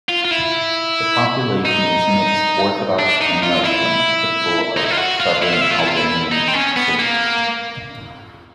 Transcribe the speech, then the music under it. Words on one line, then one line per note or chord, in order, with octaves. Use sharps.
The population is mixed Orthodox and Muslim, typical of southern Albanian cities.
F4
F4
E4
D#4
D4
D#4
F4
E4
D#4
E4
F4
F#4
F4
E4
F4
E4
F4
E4
F4
E4
D#4
C4
C#4
B3
A#3